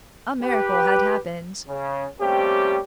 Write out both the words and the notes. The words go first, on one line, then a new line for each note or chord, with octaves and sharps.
A miracle had happened.
G4 B4
C#3
G3 A3 A#3 C4 C#4 G4